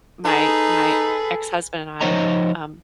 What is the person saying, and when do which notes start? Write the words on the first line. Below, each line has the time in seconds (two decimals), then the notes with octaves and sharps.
my my ex-husband and I, um,
0.25 D#4 G#4 A4 B4
2.01 F3 D#4 C5 C#5 D#5 A#5